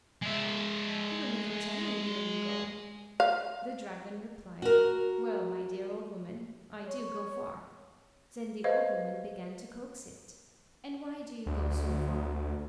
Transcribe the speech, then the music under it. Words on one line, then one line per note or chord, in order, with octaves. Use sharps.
You will never tell me whither you go." The dragon replied: "Well, my dear old woman, I do go far." Then the old woman began to coax it: "And why do you go so far?
G#3 E5
F5
F#4 A#4
C#5
B4 C5 D#5 F5 G#6
D2